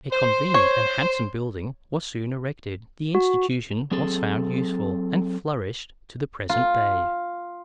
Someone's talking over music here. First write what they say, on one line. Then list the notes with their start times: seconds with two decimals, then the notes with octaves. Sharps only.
A convenient and handsome building was soon erected, the institution was found useful, and flourishes to the present day.
0.12 C5
0.54 C#5
3.15 F#4
3.91 F#3 C4 G#4 A4
6.49 F4